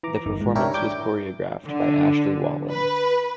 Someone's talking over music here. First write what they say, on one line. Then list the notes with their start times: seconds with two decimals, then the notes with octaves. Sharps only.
The performance was choreographed by Ashley Wallen.
0.03 E3 A#5 D6
0.26 G1 D#3
0.41 A1 G#2
0.55 D4 E4 G4 A#4 C#5
0.74 D4 D6 G6
1.66 D3
2.70 B4